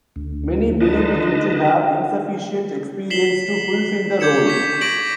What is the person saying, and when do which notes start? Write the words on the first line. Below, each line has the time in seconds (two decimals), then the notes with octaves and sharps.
Many believed him to have insufficient experience to fulfill the role.
0.16 D2
0.80 D3 D#4 B4 D#5 A5
3.10 B6 C7 E7 F#7 G7
4.20 D6 G6 G#6 C#7 E7
4.47 C#6 B6
4.81 C#6 G#6 A#6 D7 F#7